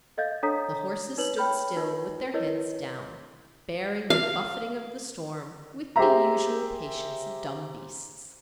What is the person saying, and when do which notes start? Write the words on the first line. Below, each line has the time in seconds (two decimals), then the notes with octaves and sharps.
The horses stood still with their heads down, bearing the buffeting of the storm with the usual patience of dumb beasts.
0.17 A4 D#5 F5 G6 A6
0.43 D4 A4 C#5 A#5 D#6 B6
1.18 D#4 B4 C#5 F#7
1.36 C#5 G5 B5 F6 G6
1.77 D#4 F4 B4
2.34 E4 A#4 B4 C#5 D#5
4.10 F5
5.96 G4 G#4 C5 E5 A#5